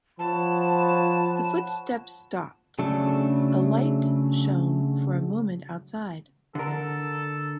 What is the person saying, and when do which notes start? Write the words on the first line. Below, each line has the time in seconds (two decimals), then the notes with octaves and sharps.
The footsteps stopped, a light shone for a moment outside.
0.19 F3 C#5 F#5 A5 B5
2.79 C#3 F#3 A3 D4 A4
6.55 D3 A4 A#4